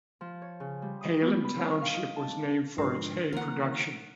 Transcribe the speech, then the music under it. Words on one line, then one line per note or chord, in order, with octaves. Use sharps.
Hayland Township was named for its hay production.
F3
C#5
C#3
G3
D#6
B3
B5
C4
F5
D#4
A5
D4
G#2 D3 F3 D4 C7
D3 E3 A#3 A#4 F#5